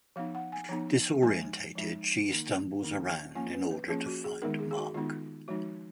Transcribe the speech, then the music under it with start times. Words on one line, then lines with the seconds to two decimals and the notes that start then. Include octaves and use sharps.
Disoriented, she stumbles around in order to find Marc.
0.16 F3 B3 D#4 F5
0.35 F#5
0.52 G#5
0.69 F3 B3 D#4 A#5
1.22 F3 G#3 D#4 G#5
1.76 F3 G#3 D#4
2.29 D#3 A#3 D#4
2.82 D#3 A#3 D#4
3.35 F3 A#3 C#4 F4 G#5
3.53 B4
3.71 B4
3.88 F3 A#3 C#4 F4 G#4
4.06 F#4
4.24 G#4
4.42 D#3 G#3 B3 D#4 A#4
4.59 G#4
4.71 G#4
4.77 F#4
4.94 D#3 G#3 B3 D#4 F4
5.48 F3 G#3 D#4 F#4